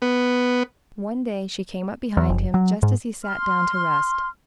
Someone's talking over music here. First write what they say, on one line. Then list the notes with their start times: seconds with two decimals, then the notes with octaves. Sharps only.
One day she came up behind him just as he sat down to rest.
0.02 B3
2.17 E2
2.29 F#1
2.54 F#3
2.83 G#2
3.24 C6 F6